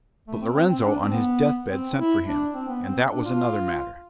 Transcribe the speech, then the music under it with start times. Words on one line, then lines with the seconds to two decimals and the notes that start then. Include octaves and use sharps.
But Lorenzo on his deathbed sent for him, and that was another matter.
0.28 A3
0.42 C4
0.56 C4
0.70 C4
0.84 D4
0.98 C4
1.13 B3
1.69 C4
1.97 E4
2.26 D4
2.54 C4
2.68 B3
2.82 C4
3.11 D4
3.25 F4